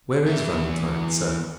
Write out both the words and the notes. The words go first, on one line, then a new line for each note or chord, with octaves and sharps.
Where is Valentine, sir?
E2 E5